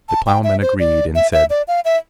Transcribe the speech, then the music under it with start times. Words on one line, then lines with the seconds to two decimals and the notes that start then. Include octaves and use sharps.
The ploughman agreed and said.
0.09 A5
0.26 G5
0.44 E5
0.62 C5
0.80 D5
1.15 E5
1.33 E5
1.50 D5
1.68 F5
1.85 E5